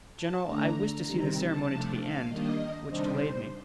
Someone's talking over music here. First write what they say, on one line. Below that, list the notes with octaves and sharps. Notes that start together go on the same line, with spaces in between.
"General, I wished to see the ceremony to the end, which delayed me."
A5
D3 A3 D4 A#5
C3 D#3 G3 C4 A#5
A5
C3 F3 A3 D4
F5
D#3 G3 A#3 D4 D#5
C3 D#3 G3 D4 C5